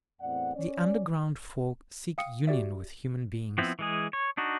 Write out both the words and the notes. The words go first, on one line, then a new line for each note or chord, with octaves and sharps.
The underground folk seek union with human beings.
E2 A2 C4 D5 F#5
C#4 D5
F5 G5 D#6 C#7
F#4 G4 D5 E5
F3 B3 C4 E4
E3 G#3 G#4
C#5
D4 D#4 F#4